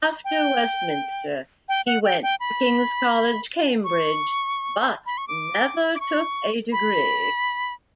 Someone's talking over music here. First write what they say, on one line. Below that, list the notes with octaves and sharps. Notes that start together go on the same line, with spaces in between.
After Westminster, he went to King's College, Cambridge but never took a degree.
G5
G5
F#5
G5
G5
B5
C#6
B5
C#6
D6
D6
C#6
B5